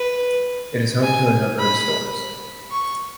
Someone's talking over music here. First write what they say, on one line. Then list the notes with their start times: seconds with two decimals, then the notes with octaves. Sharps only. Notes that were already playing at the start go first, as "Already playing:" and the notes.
It is home to a number of stores.
Already playing: B4
1.04 G#5
1.60 B5
2.71 C#6